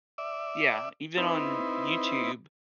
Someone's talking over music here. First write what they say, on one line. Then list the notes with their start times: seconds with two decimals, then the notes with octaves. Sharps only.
Yeah, even on YouTube,
0.18 D5 E5
1.18 C4 D#4 E4 B4